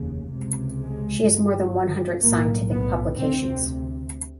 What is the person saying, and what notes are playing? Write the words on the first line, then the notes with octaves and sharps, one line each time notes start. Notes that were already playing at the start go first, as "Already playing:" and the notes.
She has more than one hundred scientific publications.
Already playing: F1 D#2 C#3
C#2 C3
G#3
G1 G2
B1 A2 A#3
B3
D2 C3 C4